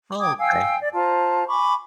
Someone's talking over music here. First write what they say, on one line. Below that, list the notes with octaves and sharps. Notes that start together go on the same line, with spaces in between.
Oh, okay.
G5 D6 D#6 G#6
F5 G5 G#5 E6
D5
F4 C5 A5 A#5
G#5 B5 C#6 D6